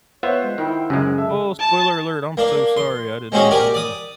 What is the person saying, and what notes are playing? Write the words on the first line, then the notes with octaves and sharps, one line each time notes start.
Oh, spoiler alert, I'm so sorry. I did not know.
B3 F4 C5 C#5 E5 F#5
G#3
D#3 E4 G5
F#2 C#3 G#3 C#4
A4 E5
A5
A#3 D4
C6
G#3 C4 C#4 F#4 G#4
G4 A#4 D5 G#5
D5 D#6